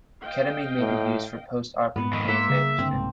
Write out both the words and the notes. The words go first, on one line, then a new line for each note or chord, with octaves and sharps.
Ketamine may be used for postoperative pain management.
D#5 F5 G5
A2
G#2 B3 B4
F2 D#3
A#3 E5 F#5 C6 D6
C#3
G2 D3 C4
C2 G#2